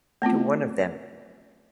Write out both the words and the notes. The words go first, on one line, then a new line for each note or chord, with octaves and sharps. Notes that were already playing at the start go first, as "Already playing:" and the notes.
To one of them.
A3 B3 C4 F4